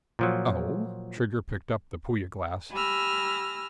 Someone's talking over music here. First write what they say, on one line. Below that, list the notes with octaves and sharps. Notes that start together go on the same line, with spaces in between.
"Oh?" Trigger picked up the Puya glass.
A#2 F3 F#3
G4 G#5 B5 E6 F6 A#6